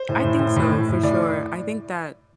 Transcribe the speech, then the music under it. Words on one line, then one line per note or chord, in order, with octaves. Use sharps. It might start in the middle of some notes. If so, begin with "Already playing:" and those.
I think so for sure, I think that
Already playing: C5
A2
A2
A2
A2
A2
A2
A2 D5